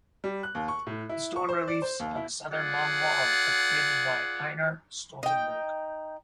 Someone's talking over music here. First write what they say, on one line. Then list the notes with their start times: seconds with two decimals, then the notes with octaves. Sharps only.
The stone reliefs on the southern long wall are created by Einar Stoltenberg.
0.24 G3
0.43 F#6
0.55 D#2
0.68 C#6
0.87 A2
1.09 E4
1.36 C#6
1.49 C5
1.68 D5
1.82 C5
2.00 D#2
2.16 E4
2.51 F4 G#4 D5 F#5
5.23 D#4 G5